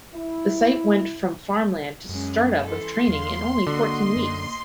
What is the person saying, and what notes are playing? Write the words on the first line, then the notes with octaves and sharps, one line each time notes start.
The site went from farmland to start-up of training in only fourteen weeks.
E4
F#2 G#3 C#4
E3 A4 C6
E2 F5
D3 A#3 F#4 D#5
F#2